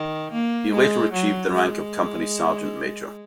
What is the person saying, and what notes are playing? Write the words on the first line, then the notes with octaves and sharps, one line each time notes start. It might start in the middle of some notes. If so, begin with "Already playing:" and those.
He later achieved the rank of Company Sergeant Major.
Already playing: D#3
A#3
G#3
F#3
G#3